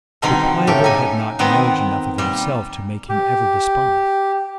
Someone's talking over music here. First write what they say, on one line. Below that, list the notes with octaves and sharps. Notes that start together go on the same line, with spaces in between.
But Pliable had not knowledge enough of himself to make him ever despond.
B2 D3 D#3 G3 C4 D#4
A2 C#3 G4 A4
D#4 G#5
D#3 B3 C4 D#4
A#2 G3
G4